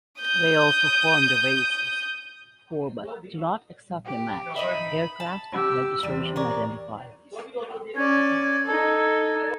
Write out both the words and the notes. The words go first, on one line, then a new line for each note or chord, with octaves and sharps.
They also form the basis for, but do not exactly match, aircraft registration identifiers.
D#6 G6
G4
D#4 D#5 E5 B5
A5
G4 E6
E2 C3 G3
A#4 C#5 D5
C#4 D5 G#6
D#4 A4